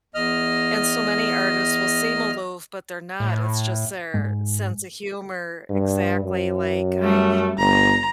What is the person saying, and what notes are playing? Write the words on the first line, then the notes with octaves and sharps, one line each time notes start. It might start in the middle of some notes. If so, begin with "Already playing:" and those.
and, so many artists will seem aloof, but they're not, it's just their sense of humor exactly like I
E2 D#5 F6
A2
G#2
G2
F#2
G3 A3
G1 A#5